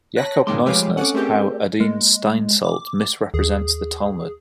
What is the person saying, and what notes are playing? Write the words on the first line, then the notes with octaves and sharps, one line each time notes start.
Jacob Neusner's How Adin Steinsaltz Misrepresents the Talmud.
C#5 A5 F#6 A#6 B6
C#2 G#2 D#3 G#3 A#3 G5 C6 D6
F3 G#3 A3 G4 B4 C#5 F5 D6
C4 C#4 A4 F#5 D6
A3 C4 G4 G#4 A#4 G6
G#3 A#3
D6
D#2 G#4